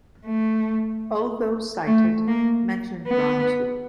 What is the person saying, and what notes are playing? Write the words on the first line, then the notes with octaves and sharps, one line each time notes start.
All those cited mention Brown too.
A3
A3
A#3
B3